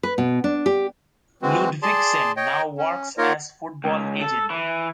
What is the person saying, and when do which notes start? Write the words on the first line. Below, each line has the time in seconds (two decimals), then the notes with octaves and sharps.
Ludvigsen now works as football agent.
0.03 B4
0.18 B2
0.44 D4
0.66 G4
1.42 E3 G#3 C4 F#4
1.83 G#4 D5 A5 C6
2.36 C#5 D#5 G5
2.78 C#4
3.18 A#3 D#4 F4 A#4 C#5 D#5
3.84 C#2
4.22 A4
4.50 E3